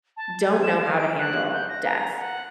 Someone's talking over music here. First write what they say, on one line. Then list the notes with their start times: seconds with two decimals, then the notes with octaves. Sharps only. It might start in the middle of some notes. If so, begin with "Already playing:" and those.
don't know how to handle death
0.16 A5
0.47 G#5
0.62 E7
0.78 F5
0.97 D7
1.18 F#6
1.53 G6
1.68 A#6
1.84 A#5
2.16 F#5